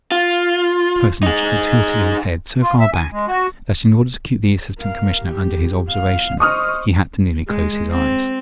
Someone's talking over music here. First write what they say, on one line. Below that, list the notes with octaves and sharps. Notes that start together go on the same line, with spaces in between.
The Personage had tilted his head so far back that, in order to keep the Assistant Commissioner under his observation, he had to nearly close his eyes.
F4
D#4 G#4
F4
E5
G#5
G#3
F#4
A#4 F5
G4
F5
C5 D#5 C#6 D#6 F6
G#3
C4